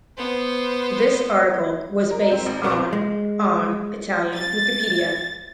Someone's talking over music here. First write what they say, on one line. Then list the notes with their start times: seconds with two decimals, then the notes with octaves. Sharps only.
This article was based on on Italian Wikipedia.
0.17 B3 C5
2.11 A#4
2.30 C4 G6
2.46 G#1
2.63 C2 B2 B3 C4 F#5 D6
2.93 G#3
4.36 A6